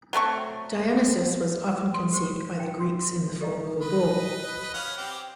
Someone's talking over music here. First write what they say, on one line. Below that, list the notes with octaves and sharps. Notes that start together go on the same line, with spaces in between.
Dionysus was often conceived by the Greeks in the form of a bull.
F#3 A3 C4 C#6
C6 D#6
G4 C5
E5 F5 G5 G#5
C6
G4 A4 D5 D#5 F5 A#5
B4 D#5 B5
C#4 F5 F#5
C4 G4